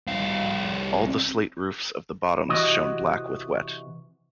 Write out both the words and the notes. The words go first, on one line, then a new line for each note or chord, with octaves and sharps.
All the slate roofs of the Bottoms shone black with wet.
C2 F5
C3 E3 F#4 D#5